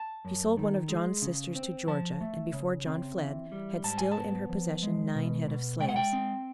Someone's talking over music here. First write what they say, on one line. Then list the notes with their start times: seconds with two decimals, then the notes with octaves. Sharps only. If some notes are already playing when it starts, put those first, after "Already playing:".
She sold one of John's sisters to Georgia, and before John fled, had still in her possession nine head of slaves.
Already playing: A5
0.25 F#2
0.57 D#3
0.89 G#3
1.22 C#3
1.55 C4
1.87 F3 A5
2.21 A3
2.53 C#3
2.86 C4
3.18 E3
3.52 G3
3.84 G#2 A5
3.98 G#5
4.12 B3 A5
4.49 F3
4.83 G#3
5.15 B2
5.48 B2
5.80 G#3 G5
5.89 F#5
5.96 G5
6.13 C4